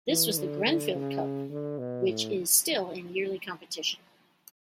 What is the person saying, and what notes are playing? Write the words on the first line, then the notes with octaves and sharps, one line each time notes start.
This was the Grenfell Cup which is still in yearly competition.
E3
D3
D3
C#3
D3
B2
A2